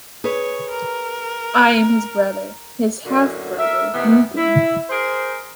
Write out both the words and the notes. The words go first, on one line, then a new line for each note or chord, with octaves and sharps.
I am his brother — his half-brother, Lincoln.
G#4 B4 C#5
A#4
F#2 A2 D3 A#3 F#4
A4 A#4 E5
C3 D#3 E3 B3
E4
G#4 A#4 C5